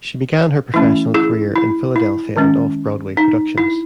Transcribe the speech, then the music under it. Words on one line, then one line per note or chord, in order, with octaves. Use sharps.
She began her professional career in Philadelphia and off-Broadway productions.
E3 A3 C#4 E4
E4 G#4
E4
E4
D#3 G#3 C#4
D#4
E4